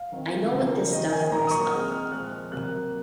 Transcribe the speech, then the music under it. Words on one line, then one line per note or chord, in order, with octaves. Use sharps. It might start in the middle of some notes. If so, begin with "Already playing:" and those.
I know what this stuff looks like.
Already playing: F5
D#3 F#3 C4
C#3 F3 A#3
D#3 A#3 D#5
G#5
G#5
A#2 F#3 A#3 A#5
D#6
C#6
F6
A#2 G#3 C4 D#6
F6
A#2 F3 G#3 F#6
F6
C3 F#3 A#3 F#6